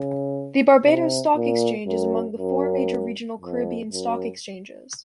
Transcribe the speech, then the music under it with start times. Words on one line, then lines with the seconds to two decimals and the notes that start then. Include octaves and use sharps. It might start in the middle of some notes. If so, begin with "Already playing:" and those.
The Barbados Stock Exchange is among the four major regional Caribbean stock exchanges.
Already playing: C#3
0.85 C3
1.36 A#2
1.87 F#2
2.38 F#2
3.42 F2
3.93 F#2